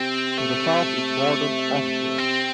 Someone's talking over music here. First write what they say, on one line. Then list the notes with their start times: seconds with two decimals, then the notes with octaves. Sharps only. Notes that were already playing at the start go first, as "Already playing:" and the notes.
To the south it borders Austria.
Already playing: C3 C4
0.37 A3
2.18 C4